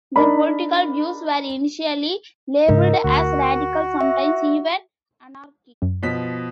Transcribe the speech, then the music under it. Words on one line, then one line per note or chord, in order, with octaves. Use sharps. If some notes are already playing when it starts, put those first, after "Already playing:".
Their political views were initially labeled as radical, sometimes even anarchic.
D4 D#4 A#4 B5
G#2 C#3 G#3 D#4 A#4
D2 F#4
E5
F#2
B2 F3 B6